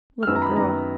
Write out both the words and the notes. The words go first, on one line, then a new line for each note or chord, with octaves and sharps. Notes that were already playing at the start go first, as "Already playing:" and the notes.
Little girl.
F6
F#2 D#3 F#3 B3 E6
A#5
B5
F#2 D#3 F#3 B3 A#5